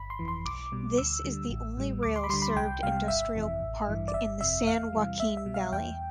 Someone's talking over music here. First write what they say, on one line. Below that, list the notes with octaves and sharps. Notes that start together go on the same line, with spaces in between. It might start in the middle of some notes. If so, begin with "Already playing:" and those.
This is the only rail served industrial park in the San Joaquin Valley.
Already playing: G1 B5
C6
F2 E3
C6
B1 D6
B2 G3
D2 E6
D3 G3
A1
A2 G3
D2 D6
C6
B5
D3 G3 C6
B5
C2 G5
C3 G3 F5
G1 E5
F2 C3 E3
A1
G2 E3
D5
G1 E5
F2 C3 E5
E2 F5
C3 E3 G3
C2 E5
E5
B2 G3
F5
E2 G5